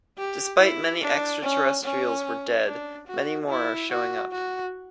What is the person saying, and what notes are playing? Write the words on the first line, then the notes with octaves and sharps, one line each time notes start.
Despite many extraterrestrials were dead, many more are showing up.
G4
E4
D4
C#4
C#4
D4
F#4
E4
F#4
F#4